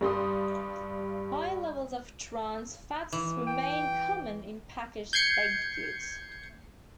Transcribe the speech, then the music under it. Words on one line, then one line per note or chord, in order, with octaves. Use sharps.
High levels of trans fats remain common in packaged baked goods.
G2 G3 C6 D#6
E3
G5
G6 G#6 C7 C#7